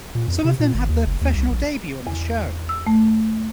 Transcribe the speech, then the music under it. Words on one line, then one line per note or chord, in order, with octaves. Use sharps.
Some of them had their professional debut on the show.
A#2
F2
C3
A#2
G#1
D#2
F#1
D#2
C2
A#1
E2
E6
A3